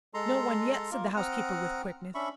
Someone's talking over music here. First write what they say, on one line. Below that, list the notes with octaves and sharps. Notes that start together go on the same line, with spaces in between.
"No one yet," said the housekeeper, with quickness.
G#3 A4 A#5 C6
A#3 F4 A#4
C4 F#5 A#5 D#6 F6
C#4 D4 E5 B5 C#6